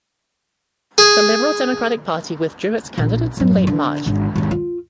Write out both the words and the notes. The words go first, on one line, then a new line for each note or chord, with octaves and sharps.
The Liberal Democratic Party withdrew its candidates in late March.
G#4
A#1
A1 F#2
D3
G#1 D3
G#1 D#2
F4